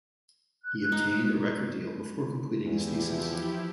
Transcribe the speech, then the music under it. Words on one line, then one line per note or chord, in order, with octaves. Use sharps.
He obtained a record deal before completing his thesis.
F#6
D#4
E2 F3 E4 G4